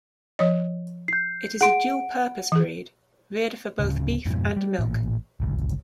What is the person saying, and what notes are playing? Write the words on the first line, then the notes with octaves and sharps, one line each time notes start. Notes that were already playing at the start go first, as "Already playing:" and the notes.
It is a dual-purpose breed, reared for both beef and milk.
F3 C#5 D#5
G6 C7
G#4 F#5 C6 D7
E3 G#4
D1 C#3
F2 G#2 B2
G3
A1 A#2
D1 G1 C#2